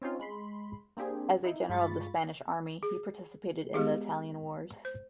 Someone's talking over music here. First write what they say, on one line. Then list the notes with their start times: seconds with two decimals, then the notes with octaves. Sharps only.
As a general of the Spanish army, he participated in the Italian Wars.
0.02 C4 C#4 D#4 F4
0.19 G#3 B5 C6
0.97 A#3 C4 D4 G4 G#4
1.44 D#4 E4
1.69 G2 G#3 F4 B5 C#6 A6
2.83 G#4
3.74 G#3 B3 G4 G#4
4.85 C5